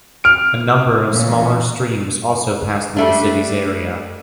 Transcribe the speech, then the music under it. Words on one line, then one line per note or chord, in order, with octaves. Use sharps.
A number of smaller streams also pass through the city's area.
F6 D7
A#2 E3 C#4
G3 A3 D4